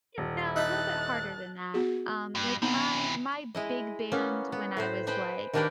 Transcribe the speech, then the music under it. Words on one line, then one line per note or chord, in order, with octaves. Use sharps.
you know, a little bit harder than that, um, like, my my big band when I was, like,
D#1
D#4 E4 A5 F#6
B3 F#4 G#4
G2
C3 E3 B3 D#4
G#3 E4 D#5
A#3 B3 C#4
B3
A2 B4 C5
B4 C5 D#5 G5 G#5
D#3 A#3 D4 G4 A#4 B4